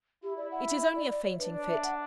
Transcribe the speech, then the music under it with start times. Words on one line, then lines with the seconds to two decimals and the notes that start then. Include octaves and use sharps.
'It is only a fainting-fit.
0.23 E4 G4
0.37 D5
0.51 F#5
0.67 E5
0.81 E5
0.96 D5
1.11 D5
1.25 C#5
1.39 D4 B4
1.54 D5
1.69 E5
1.83 F#5